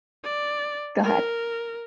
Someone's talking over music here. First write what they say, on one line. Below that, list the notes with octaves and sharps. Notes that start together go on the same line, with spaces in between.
Go ahead.
D5
A#4